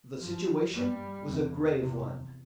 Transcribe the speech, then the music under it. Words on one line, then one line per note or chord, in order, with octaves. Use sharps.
The situation was a grave one.
G2 F3
G2 G3
E2 C3
E2 C3